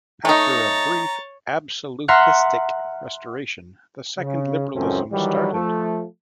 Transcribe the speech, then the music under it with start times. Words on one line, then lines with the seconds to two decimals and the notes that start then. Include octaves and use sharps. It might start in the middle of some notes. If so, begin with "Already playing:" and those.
After a brief absolutistic restoration, the second liberalism started.
0.25 A3 D#4 C#5 A#5 A6
2.08 E5 F#5 A#5 C6 F6 F#6
4.18 C#3
4.74 C#2 F#2 A2 A3 C4 C#4
5.12 D#3 E3 F#3 G3
5.53 F3 A3 A4